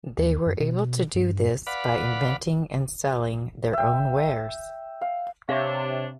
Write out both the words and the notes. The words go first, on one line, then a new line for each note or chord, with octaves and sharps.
They were able to do this by inventing and selling their own wares.
D#2
F#2
B2
G2
B4 D5 F5 F#5 B5
E5 G5
F5
C3 D4 C#5 E5 F5